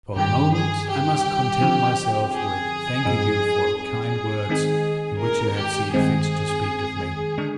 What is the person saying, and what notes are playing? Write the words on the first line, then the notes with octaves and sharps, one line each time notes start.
For the moment, I must content myself with thanking you for the kind words in which you have seen fit to speak of me.
G2 D#3 G3 G4
G#4
G4
D3 F3 C4
G#4
G2 F3 C4 D#4
G#4
D#3 G#3 C4 D#4
A#4
G4
G2 D#3 G#3 C4 G#4
D3 G#3 D4